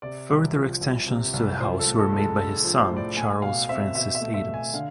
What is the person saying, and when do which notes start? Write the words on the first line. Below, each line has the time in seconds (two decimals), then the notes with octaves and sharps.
Further extensions to the house were made by his son, Charles Francis Adams.
0.02 C3 D5
0.29 C2
0.54 F3
0.81 C2
1.08 C3
1.34 C2
1.60 F3 C5
1.79 A4
1.86 A2
1.99 A4
2.13 G#3
2.18 A4
2.38 D4 A4
2.64 F3
2.77 C5
2.90 A2
2.97 D5
3.16 A3 G#5
3.42 B2 F5
3.69 C4 E5
3.95 B2 E5
4.15 E5
4.21 A3
4.34 E5
4.48 B2
4.54 G#5
4.74 D3 F5